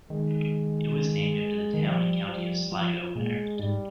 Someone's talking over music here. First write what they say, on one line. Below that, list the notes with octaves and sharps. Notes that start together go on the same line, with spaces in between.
It was named after the town and county of Sligo in Ireland.
D#3 G#3
D#3
F3 G3
F3 G3
F3
F3
A#2 G#3
G#2 G3